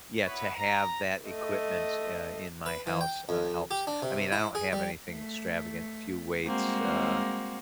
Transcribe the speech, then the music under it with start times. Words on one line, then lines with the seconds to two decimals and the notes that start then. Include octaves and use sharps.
yeah, to have that equipment, uh, in my house, uh, helps. I mean, I don't have anything extravagant, a few weights, uh,
0.24 B3 E4 F#4 B4 C#5
0.54 A#5
1.29 A3 D#5
2.66 B4
2.87 E3
3.01 G5
3.29 F2
3.71 G4
3.87 D4
4.02 C3
4.32 E4
4.55 G#4
4.73 G3
5.10 A3
6.46 G3 G#3 A#3 C4 F#4